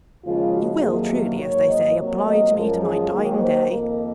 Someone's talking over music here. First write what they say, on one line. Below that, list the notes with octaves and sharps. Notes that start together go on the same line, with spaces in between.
You will truly, as they say, oblige me to my dying day.
D#2 C#3 F3 G#3 F4
F#4
F2 C3 D#3 F#3 A#3 G#4
F#4
G#2 F#3 A#3 C#5
D#5
C3 F#3 A#3 C#5
D#5
F#2 F3 G#3 A#4
G#4
D#2 D#3 F#3 A#3 G#4
C5
F2 D#3 A#3 A#4